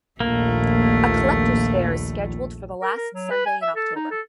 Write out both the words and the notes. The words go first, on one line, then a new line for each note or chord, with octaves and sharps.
A collectors fair is scheduled for the last Sunday in October.
A#1 D#2 A3 A#3
A#4
A#4
F#3
B4
G#5
E5
A4
D#4
A4